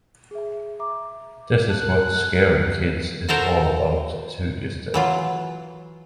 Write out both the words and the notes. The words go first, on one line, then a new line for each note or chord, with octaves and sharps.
This is what Scary Kids is all about to this day.
G#4 E5
E5 A#5 D6
A#4 A5 F#6
F#4 A4 A#4 C5
E3 F#3 F4